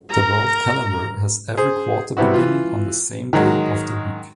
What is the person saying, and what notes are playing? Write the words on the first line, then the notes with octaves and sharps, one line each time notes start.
The World Calendar has every quarter beginning on the same day of the week.
A#4 A#5
G#4 C5
C3 G3 B3 E4 F#4
E3 F4
D#3 F#3 G#3 F#4